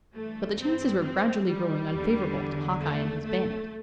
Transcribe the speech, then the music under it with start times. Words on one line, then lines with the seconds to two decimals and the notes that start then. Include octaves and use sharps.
But the chances were gradually growing unfavorable to Hawkeye and his band.
0.14 G2 E3 A3
0.58 C4
1.03 C4
1.47 G3
1.92 E2 D3
2.82 A3
3.25 A3